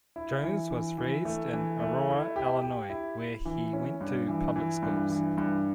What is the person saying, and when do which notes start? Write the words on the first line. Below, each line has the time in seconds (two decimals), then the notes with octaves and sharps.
Jones was raised in Aurora, Illinois, where he went to public schools.
0.16 E4
0.43 E3
0.70 E3
0.98 E3
1.25 A3
1.53 E3
1.80 A3
2.08 E4
2.36 G4
2.62 G4
2.90 E4
3.18 E4
3.45 E3
3.73 C#4
4.01 G2
4.28 E3
4.56 E3
4.82 G2
5.10 E3
5.37 G2